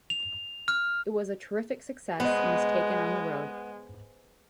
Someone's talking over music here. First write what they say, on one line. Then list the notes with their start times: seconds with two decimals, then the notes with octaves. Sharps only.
It was a terrific success and was taken on the road.
0.10 F7
0.68 F6
2.20 G#3 B3 C5 D#5